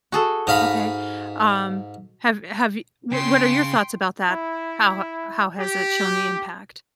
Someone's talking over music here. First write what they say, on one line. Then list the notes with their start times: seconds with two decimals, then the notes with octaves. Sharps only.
Okay, um, have have y w what are your thoughts about that? How h how has it shown the impact?
0.12 F#4 G#4 A4
0.47 G#2 D#5 F5 B5
3.13 C#3 G5 C6
4.27 E4
5.59 G4